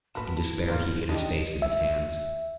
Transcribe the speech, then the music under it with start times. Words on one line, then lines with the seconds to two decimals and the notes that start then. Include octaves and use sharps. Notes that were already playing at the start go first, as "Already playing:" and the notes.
In despair he hid his face in his hands.
0.15 G#2 A#3 F#4 B4 A5
0.43 E4
0.68 G#2 A#3 B3 C#4 F4
1.09 D4 D#4 G4
1.62 E5